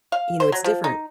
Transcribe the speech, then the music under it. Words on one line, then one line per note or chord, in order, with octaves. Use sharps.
you know, it's different
F5
C5
F#3
F3
D#4